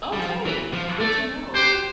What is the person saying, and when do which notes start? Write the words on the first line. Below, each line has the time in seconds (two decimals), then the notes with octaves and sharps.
Okay. Good to know.
0.13 G3
0.19 F3
0.46 E3
0.73 F3
1.00 A3 D5
1.55 G4 C5